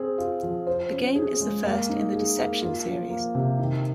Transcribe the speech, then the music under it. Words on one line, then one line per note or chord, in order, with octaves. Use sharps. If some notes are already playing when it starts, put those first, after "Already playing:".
The game is the first in the "Deception" series.
Already playing: C4 G#4
F4
F3
C5
C#4
G#4
G#3
A#3
D#4
G#4
A#3
F4
F3
A#3
C3
D#3